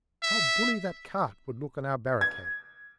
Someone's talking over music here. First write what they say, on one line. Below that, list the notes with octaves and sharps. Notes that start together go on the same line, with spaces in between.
"How bully that cart would look on our barricade!"
E5
G#6